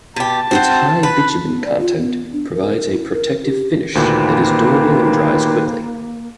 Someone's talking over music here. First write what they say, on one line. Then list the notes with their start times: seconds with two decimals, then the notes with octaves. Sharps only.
Its high bitumen content provides a protective finish that is durable and dries quickly.
0.16 B2 G4 A5
0.51 C4 F#4 C5
1.03 B4
1.44 B3
1.65 D5
1.80 F4
1.98 B3
2.33 D4
2.54 A#4
2.91 E4
3.13 A#4
3.44 G4
3.95 D2 A#2 D#3 A#3 G4 B4 C5